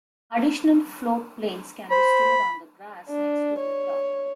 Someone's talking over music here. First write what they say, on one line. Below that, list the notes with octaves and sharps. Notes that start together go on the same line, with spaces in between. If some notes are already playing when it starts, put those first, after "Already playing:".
Additional floatplanes can be stored on the grass next to the dock.
C5 B5
D4
C#5